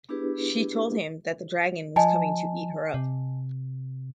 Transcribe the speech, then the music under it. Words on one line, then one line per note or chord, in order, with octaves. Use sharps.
She told him that the dragon was coming to eat her up.
B3 D4 E4 G4 G#4 B4
F3 D#5 G#5 A5
C3